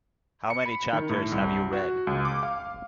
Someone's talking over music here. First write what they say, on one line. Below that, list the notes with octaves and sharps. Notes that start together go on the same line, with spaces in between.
How many chapters have you read?
C#7
B5
D#3
A2
C2
F#4
C#2
D6
F5